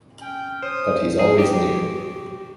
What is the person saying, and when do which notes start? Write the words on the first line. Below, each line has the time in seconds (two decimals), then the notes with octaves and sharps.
But he's always near.
0.21 C#4 G5 G#5
0.62 C5 C#5 D#6
1.19 E4 G#4
1.38 F#4 G4